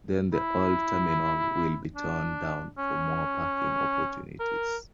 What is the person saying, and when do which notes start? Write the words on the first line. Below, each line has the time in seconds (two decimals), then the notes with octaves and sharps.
Then the old terminal will be torn down for more parking opportunities.
0.33 E4
1.96 D4
2.78 C#4
4.40 A#4